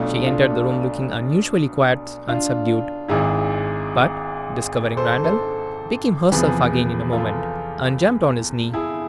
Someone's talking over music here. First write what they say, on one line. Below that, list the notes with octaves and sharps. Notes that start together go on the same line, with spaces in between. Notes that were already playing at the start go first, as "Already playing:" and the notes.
She entered the room looking unusually quiet and subdued--but, discovering Randal, became herself again in a moment, and jumped on his knee.
Already playing: B1 B2 A3 D4 F4
D4 F4
D4 F4
G#1 G#2 G#3 E4 G#4
A4 C5
A4 C5
E2 C3 F3 G#4 B4
F4 A4
E4 G#4